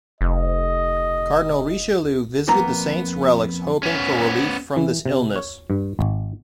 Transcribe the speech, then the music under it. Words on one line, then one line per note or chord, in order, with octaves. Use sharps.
Cardinal Richelieu visited the saint's relics hoping for relief from this illness.
F1 D#5
F2 A#3 B3 A#5
B3 C#4
E3
C3
C#5
G2
G#1